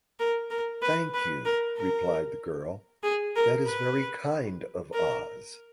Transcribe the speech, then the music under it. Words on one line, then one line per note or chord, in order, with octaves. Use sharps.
"Thank you," replied the girl; "that is very kind of Oz."
A#4
A#4
B4
B4
A#4
A#4
G#4
A#4
B4
A#4